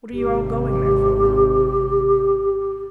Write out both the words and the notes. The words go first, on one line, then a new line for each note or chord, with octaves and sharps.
"What are you all going there for?"
G#1 C3 G4